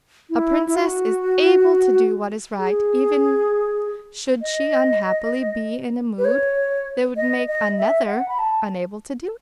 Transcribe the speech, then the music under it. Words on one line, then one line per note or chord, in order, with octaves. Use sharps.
A princess is able to do what is right even should she unhappily be in a mood that would make another unable to do it.
E4
E4
F#4
G#4
D#5
B4
C#5
D#5
D#5
E5
F#5
B5
A5